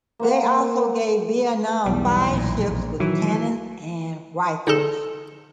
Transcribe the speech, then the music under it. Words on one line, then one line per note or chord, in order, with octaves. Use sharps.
They also gave Vietnam five ships with cannons and rifles.
A#3 C5 F#5
B1 E2 G3
A#1 A#2
D#3 E3 F#3
D3 D#4 G#4 A4 B5